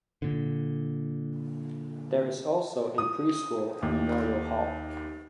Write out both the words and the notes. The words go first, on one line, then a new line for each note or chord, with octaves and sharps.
There is also a Pre-school at Memorial Hall.
A#2 D3
D#6
D#2